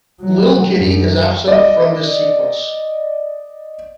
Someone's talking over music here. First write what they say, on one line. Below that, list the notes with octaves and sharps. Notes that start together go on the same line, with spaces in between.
Little Kitty is absent from this sequence.
F#3
F#2
D5 D#5